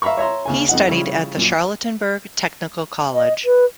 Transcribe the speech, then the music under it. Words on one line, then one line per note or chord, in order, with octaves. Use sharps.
He studied at the Charlottenburg technical college.
E5 F5 A#5 B5 C#6
C#5 E5 A#5 C6
D#2 C#3 G#5
F2 D#4 F#5
C#3 F3 G3 E4
F#2 A#2
D#5
B4